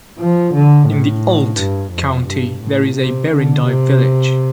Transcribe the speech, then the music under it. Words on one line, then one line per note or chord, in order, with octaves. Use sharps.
In the Olt county there is a Berindei village.
F3
D3
A2
G2
F2
G2
A2
C3
D3
C3